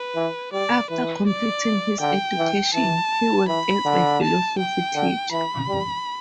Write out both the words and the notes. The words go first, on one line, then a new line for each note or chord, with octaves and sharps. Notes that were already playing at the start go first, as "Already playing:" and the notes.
After completing his education, he worked as a philosophy teacher.
Already playing: B4
E3
G3 D5
E3 B4
D5
D3 G5
E3
E3 A5
E3 B5
D3
A5
G5
D3
E3 B5
G3